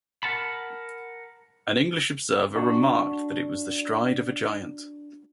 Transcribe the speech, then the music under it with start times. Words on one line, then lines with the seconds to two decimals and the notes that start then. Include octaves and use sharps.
An English observer remarked that it was the stride of a giant.
0.23 A#4 F#5 A5 B5
2.55 D4 F#4